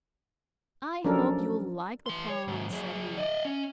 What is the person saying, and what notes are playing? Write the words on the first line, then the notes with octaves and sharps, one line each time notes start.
"I hope you'll like the pond," said he.
F3 F#3 C#4 D4 A4 A#4
E3 C6
C#5
D#2 G#2
F#3 G#4
D5 D#5
C#4